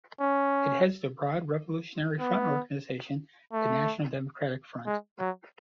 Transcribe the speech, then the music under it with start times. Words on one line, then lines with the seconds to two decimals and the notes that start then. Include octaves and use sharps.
It heads the broad revolutionary front organization, the National Democratic Front.
0.21 C#4
2.20 B3
3.53 A3
4.86 G#3
5.20 F#3